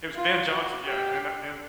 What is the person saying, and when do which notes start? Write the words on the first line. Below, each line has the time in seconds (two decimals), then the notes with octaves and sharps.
It was Ben Johnson, yeah, and a and
0.15 F4
0.50 F#4
0.85 G4